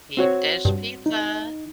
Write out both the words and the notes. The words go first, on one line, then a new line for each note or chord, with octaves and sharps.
Deep dish pizza,
C4 F#4 C#5
G2
D#4